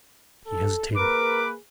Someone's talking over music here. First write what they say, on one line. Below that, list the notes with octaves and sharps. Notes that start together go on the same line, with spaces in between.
He hesitated.
A4
A#3 G#4 A#4 B4 D6